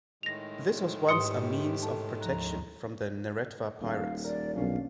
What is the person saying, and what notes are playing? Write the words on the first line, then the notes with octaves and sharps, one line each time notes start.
This once was a means of protection from the Neretva pirates.
A2 D#3 G#3 A#6 F7
G#2 G4 B4 C6 D#6 C#7
A4 A5
D2 F3 A#5 F#6
D#1 F5
A#4 D5
B1 A#3 C#4 D4 F5